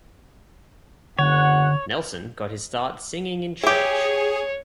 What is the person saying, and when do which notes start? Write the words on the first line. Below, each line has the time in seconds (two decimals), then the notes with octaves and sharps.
Nelson got his start singing in church.
1.19 F#1 D3 C#5 F#5
3.64 E4 G4 G#4 C#5